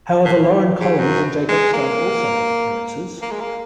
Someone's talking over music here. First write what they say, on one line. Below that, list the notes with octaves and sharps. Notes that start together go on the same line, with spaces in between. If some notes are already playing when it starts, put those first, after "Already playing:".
However, Lauren Collins and Jake Epstein also make appearances.
A#2
G#2
F#2
G#3
A#3
A#3
G#3
A#3